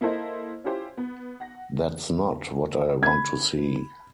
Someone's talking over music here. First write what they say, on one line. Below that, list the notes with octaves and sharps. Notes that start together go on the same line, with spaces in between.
That’s not what I want to see.
A#3 E4 A4 C5 D#5
C#4 E4 F4 G4 C5
B3
F#5 A#6
B5 G#6